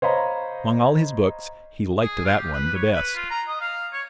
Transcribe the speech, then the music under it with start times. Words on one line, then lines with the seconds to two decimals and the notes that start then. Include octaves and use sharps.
Among all his books, he liked that one the best.
0.02 C5 C#5 D#5 F5 A#5 B5
2.02 G#4
2.25 F4
2.37 G4
2.53 B4
2.75 C#5
2.92 B4
3.15 F4
3.30 A#5
3.48 D#5
3.61 F5
3.93 C#5